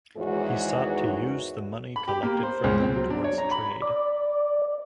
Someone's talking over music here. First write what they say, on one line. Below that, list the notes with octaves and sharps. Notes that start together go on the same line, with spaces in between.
He sought to use the money collected from them towards trade.
E2 G#2 D#3 F#4 G#4 C#5
B5
G4
A#3
C5
C#2
C4
F#3
D4
C#5
A#5
B5
D5